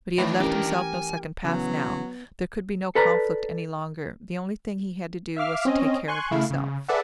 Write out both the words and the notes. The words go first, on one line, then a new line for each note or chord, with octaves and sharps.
But he had left himself no second path now: there could be no conflict any longer: the only thing he had to do was to take care of himself.
D#2 E3 A3 D4 E4 B4 A#5
E3 C#4 G4 A#4
G#5
C#3 E3 F#3 B3
A4 B4 D5 A#5
E5 F5 D6 F6
C4 C#4 D#5
G#5 C6 C#6 F#6 G#6
C#3 A3 E4 F5
C#3
G#4 A4 B4 D5 E5 F#5